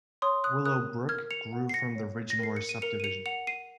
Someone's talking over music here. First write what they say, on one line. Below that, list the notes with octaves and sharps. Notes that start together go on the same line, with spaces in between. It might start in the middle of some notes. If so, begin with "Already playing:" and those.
Willowbrook grew from the Ridgemoor subdivision.
C#5 C6 D#6
D#6 F#6
A#4 D#6 F#6
A#4 F6 G#6
C#7 F7
F#5
C7
A#6 C#7
C#5
A#6
A#4 C7
C#7
D#7
A#4 C#7 F7
D#7
C#7 F7
F#5 C#7 F7
C7 D#7